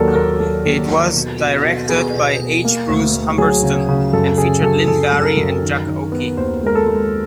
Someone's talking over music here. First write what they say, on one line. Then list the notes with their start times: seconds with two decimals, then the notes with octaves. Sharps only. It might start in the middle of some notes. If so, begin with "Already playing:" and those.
It was directed by H. Bruce Humberstone and featured Lynn Bari and Jack Oakie.
Already playing: D#2 F#3 A4 A#4 D5
0.15 D#2 A#4
0.39 F#3 A4
0.66 D#2
0.89 D#2
1.14 B2
1.39 B2
1.65 B2
1.89 B3 G#4
2.14 B2
2.39 B2
2.65 A#3
2.89 D2
3.14 D2
3.38 F#3 G#4
3.63 C#3
3.89 C#3
4.13 F#2 A4
4.38 C#3 G#4
4.63 F#2 A4
4.87 F#2 A4
5.13 F#2
5.20 A4
5.25 A#4
5.37 F#2
5.63 D#3
5.87 D#3
6.12 B3
6.37 D#2 C5
6.63 G#3 A#4
6.75 A4
6.87 G#3